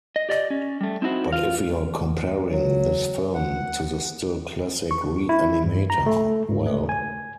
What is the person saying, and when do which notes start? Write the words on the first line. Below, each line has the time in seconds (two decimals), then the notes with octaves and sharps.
But if you're comparing this film to the still classic "Re-Animator", well...
0.16 D#5
0.29 G4 D5 D#5
0.50 C#4
0.81 G3 A3
1.02 C4 D#4 E4 F#4 C5
1.33 F4 F5
2.49 F#3
3.34 F#5
4.91 C#6
5.29 E4
5.64 G2
5.90 A#5
6.06 A3
6.49 G#2
6.66 A3
6.89 G#5